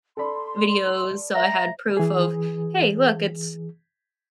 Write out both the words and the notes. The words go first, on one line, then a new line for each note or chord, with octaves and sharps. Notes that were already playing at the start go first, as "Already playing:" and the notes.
videos. So, I had proof of, "Hey, look, it's
A4 D5 B5 C6
C#5 D#5 E5 A#5
E3 G#4